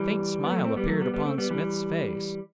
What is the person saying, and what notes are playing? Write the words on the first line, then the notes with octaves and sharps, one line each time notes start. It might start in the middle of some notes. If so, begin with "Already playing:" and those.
A faint smile appeared upon Smith's face.
Already playing: E3 G3
B3
F#3 A3
A3 C4
G3 B3
F#3 A3
G3 B3
G3 B3
A3 C4
G3 B3
E3 G3